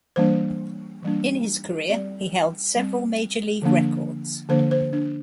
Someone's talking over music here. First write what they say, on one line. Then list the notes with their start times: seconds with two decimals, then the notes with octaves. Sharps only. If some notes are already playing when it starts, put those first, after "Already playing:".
In his career, he held several major league records.
0.16 E3 G3 A#3 D4 C5
1.02 E3 G3 A#3 D4
1.89 G3 C4 D5
2.76 G3 C4
3.62 D3 F3 A#3 D4
4.49 D3 F3 A#3 D4 C5
4.71 C5
4.93 D4